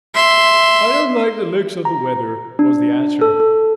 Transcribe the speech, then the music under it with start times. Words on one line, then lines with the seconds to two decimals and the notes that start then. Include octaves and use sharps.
"I don't like the looks of the weather," was the answer.
0.15 E5 C6
1.85 A#5
2.59 D4
3.21 A4
3.40 A4